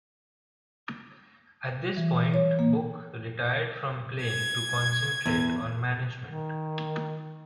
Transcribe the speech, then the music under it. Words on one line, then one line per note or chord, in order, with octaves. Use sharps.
At this point Book retired from playing to concentrate on management.
E3
C#5
A#3
G#6
E2
D#3